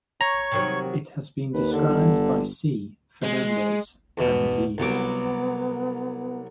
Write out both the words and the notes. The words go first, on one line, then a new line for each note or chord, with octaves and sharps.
It has been described by C. Fernandez and Zs.
C#5 A#5 C#6
C3 D#3 F#3
D#2 B4
D3
G1
G#3
E2 B2
C2 F#3 B3 D6